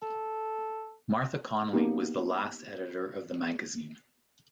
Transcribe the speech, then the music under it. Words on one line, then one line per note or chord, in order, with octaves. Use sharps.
Martha Connolly was the last Editor of the magazine.
A4
A#3 B3 D#4 G4